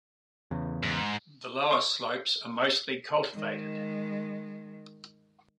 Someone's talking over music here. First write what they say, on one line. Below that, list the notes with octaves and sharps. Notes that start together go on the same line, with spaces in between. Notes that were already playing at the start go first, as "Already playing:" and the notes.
The lower slopes are mostly cultivated.
E2 C#3
G#2
C6 C#6
D#3 G#3